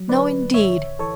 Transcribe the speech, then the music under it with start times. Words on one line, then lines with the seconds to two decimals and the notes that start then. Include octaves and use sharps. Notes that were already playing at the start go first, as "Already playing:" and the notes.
No, indeed!
Already playing: F#3
0.09 D3 B4 D5
0.54 A1 C#5 E5
0.99 E3 A4 C#5